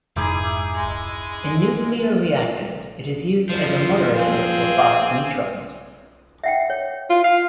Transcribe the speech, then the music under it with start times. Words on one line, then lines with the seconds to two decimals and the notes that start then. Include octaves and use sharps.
In nuclear reactors, it is used as a moderator for fast neutrons.
0.16 F1 G#2 D#4 E4 G#4 D6
0.76 G#3
3.49 F#2 F3
4.18 C4 G#4 F5
6.44 E5 F#5 G5
6.70 C#5
7.10 F4
7.24 F5